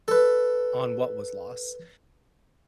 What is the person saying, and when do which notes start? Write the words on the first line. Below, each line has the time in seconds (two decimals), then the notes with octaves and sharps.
on what was lost,
0.08 A4 B4